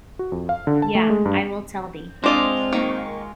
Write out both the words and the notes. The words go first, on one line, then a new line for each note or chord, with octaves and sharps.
Yea, I will tell thee.
F#4
F2
F5
D3
A5
A3
G#3
G2
G#3 C4 D4 F4 C5 D5 D#5
D#3 A#3 C#6